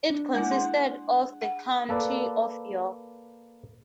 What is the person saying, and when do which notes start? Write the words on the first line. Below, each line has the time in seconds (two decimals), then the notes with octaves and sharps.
It consisted of the County of York.
0.10 D4
0.35 G#3 A#3 E4 F#5
0.51 G#4 C6
1.41 F#5
1.89 A#3 A4 B4 D5